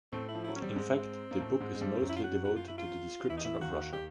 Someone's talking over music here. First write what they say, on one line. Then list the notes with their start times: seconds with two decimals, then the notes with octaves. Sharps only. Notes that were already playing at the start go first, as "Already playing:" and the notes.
In fact, the book is mostly devoted to the description of Russia.
0.12 A2 A3 C4
0.29 E4
0.35 F3
0.44 F#3 E4
0.56 C#4
0.60 G3 C4
0.76 G#2 G#3
1.31 A#3
1.40 A2 A3
1.60 G#2 G#3
1.75 G#3
1.81 G2 G3
2.02 F#2 F#3
2.09 E4
2.16 F4
2.24 F#4
2.44 F#4
2.56 F4
2.68 E4
2.78 F4
3.29 E2 E3 E4
3.37 D#4
3.44 E4
3.55 E3
3.61 D#2 D#3 F#4
3.93 G4